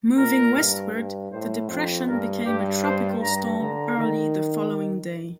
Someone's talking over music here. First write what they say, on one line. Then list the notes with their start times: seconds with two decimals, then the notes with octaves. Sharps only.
Moving westward, the depression became a tropical storm early the following day.
0.18 A#2 A#4
0.55 G2
0.94 G2
1.32 A2 C5
1.69 F2 C5
2.07 G2 A#4
2.46 G2 G4
2.83 C5
3.22 G2 A#5
3.60 D3 A#5
3.97 D#3